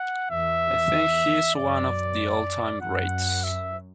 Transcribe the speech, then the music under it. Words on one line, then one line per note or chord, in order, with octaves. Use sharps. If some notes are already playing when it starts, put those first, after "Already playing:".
I think he's one of the all-time greats.
Already playing: F#5
E2 E5
F#2 D5
F#2 F#5
E5